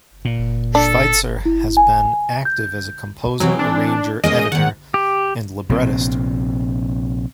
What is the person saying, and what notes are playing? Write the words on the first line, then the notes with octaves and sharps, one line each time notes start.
Schweizer has been active as a composer, arranger, editor, and librettist.
A#2
D4 A4
E4
G#5
G6
E3 F#3 C4
D4
G#3 A#3 C#4 D#5
A#2 D#3 F#5
G4
A#1 C3 C4